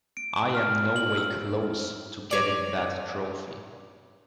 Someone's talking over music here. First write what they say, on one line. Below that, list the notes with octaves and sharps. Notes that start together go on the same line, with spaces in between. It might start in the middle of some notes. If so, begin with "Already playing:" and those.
I am no way close to getting that trophy.
D7
F6
F#7
E6
C#5 D5